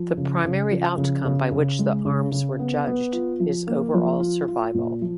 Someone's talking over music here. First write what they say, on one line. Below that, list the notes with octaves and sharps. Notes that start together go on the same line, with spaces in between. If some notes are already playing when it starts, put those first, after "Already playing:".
The primary outcome by which the arms were judged is overall survival.
Already playing: F3
C#3
C#3
F3
C#3
C#3
C#3
G#3
C#3
C#3
B3
B3
F4
F3
A#3
F3
F4
F4
A#2
F3